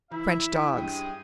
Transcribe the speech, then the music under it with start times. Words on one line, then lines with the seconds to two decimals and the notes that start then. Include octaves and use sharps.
"French dogs!"
0.11 E3 E4 E5
0.77 G2 G#3 C#4 G5 D#6